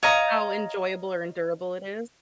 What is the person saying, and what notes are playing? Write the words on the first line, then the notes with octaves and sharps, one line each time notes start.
how enjoyable or endurable it is?
C#5 D#5 F5 A#5